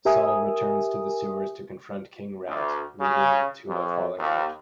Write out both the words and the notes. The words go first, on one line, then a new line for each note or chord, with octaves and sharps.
Saul returns to the sewers to confront King Rat, leading to a falling out.
G4 A#4 E5 G#5 D#6
D2
C#3
F2
D#2